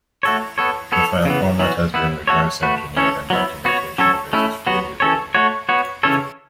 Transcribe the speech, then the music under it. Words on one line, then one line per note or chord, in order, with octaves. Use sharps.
The file format has been reverse-engineered and documentation of it is freely available.
A3 F#4 A4 C#5
B3 A4 C#5
B3 A4 C#5
C#3 E3 B3
E3 B3 F#4
B3 E4 B4
A3 F#4 A4 C#5
A3 F#4 B4
E3 C#4 A4 C#5
F#3 B3 E4
B3 F#4 C#5
F#3 C#4 A4 C#5
A3 C#4 E4
F#3 B3 F#4
E3 C#4 A4 C#5
A3 F#4 C#5
B3 F#4 C#5
C#3 E3 C#4 A4 C#5